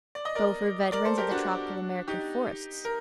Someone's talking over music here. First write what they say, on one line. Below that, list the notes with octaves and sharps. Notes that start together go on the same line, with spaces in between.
Both were veterans of the tropical American forests.
D5
D#5
A#4 D5
A#4 D5
A4 C5
G4 A#4
D4 F#4
D#4 G4
A#4